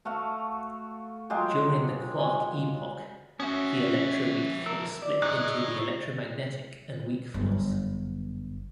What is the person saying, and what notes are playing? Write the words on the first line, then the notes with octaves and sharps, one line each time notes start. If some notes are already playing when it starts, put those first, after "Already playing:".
During the quark epoch, the electroweak force split into the electromagnetic and weak force.
A3 F#4 A4 F5
F#3 G#3 F4 G4
G#5
F3 C#4 F#4 E5
A#4 E6
D5
A2 D#4 G#4 F#6
G1 F#2